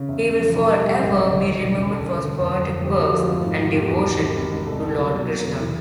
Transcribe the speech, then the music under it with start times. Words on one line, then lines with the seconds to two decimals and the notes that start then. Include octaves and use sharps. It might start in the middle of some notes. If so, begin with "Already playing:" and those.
He will forever be remembered for his poetic works and devotion to Lord Krishna.
Already playing: C#3
0.08 E2 E5
0.23 E2
0.40 F3
0.54 B1
0.69 G3
0.86 G3
1.00 A1 D#5
1.12 A1 C#5
1.23 D5
1.31 D3
1.40 C#5
1.46 D#2 D5
1.61 E1
1.77 C#3
1.92 D2 A4
2.05 D2 A#4
2.18 A4
2.23 D2
2.38 F2
2.54 F2
2.69 F3
2.83 D2 G4
2.99 F3 F#4
3.14 A3 F#4
3.29 G#1 F4
3.45 G#2
3.53 F#4
3.60 G#2
3.75 E2 G4
3.86 E2 F#4
3.97 G4
4.06 F#1
4.22 G#1
4.37 G#1
4.52 G#2
4.67 C2 A4
4.83 C2 A4
4.91 A#4
4.99 F#3
5.14 B2
5.29 A#3
5.44 E2
5.59 E3